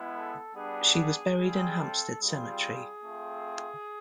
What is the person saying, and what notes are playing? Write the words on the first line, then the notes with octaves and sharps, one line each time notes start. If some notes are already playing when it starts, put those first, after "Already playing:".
She was buried in Hampstead Cemetery.
Already playing: G#3 B3 E4
A4
G3 B3 D4 G#4
G3 C4 F4 G#4
A4
G3 C4 F4 G#4
A3 C4 F4